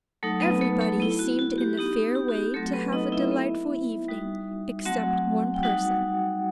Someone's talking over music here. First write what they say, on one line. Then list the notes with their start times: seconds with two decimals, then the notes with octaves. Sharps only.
Everybody seemed in a fair way to have a delightful evening except one person.
0.23 F#3 A3 D#4 A4
0.42 B3 B4
0.61 A3 A4
0.80 A3 A4
1.00 B3 E4
1.19 F#4
1.39 F#4
1.58 G4
1.77 B3 D#4 F#4 G4
2.15 G4
2.29 F#4
2.35 G4
2.54 F#3 A3 C4 F#4 A4
2.73 B3 B4
2.92 D#4 D#5
3.12 E4 E5
3.31 B3 E4
4.08 G3 D#4 F#4
4.86 F#3 A3 C4 F#4 F#5
5.54 G5
5.63 G3 D#4 F#4 F#5